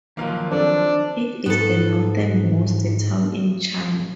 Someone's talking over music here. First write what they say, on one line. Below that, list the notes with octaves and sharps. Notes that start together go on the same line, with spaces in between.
It is the northernmost town in China.
D#3 F3 F#3 A#3 F5
C4 D4 A4
G#2 B3 A4